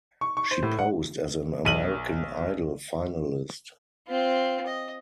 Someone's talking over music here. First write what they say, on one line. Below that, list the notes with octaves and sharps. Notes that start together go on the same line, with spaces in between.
She posed as an American Idol Finalist.
C#6
C#6
C5
A2
F#5
B1 D#7 F#7
C4 F4
D#5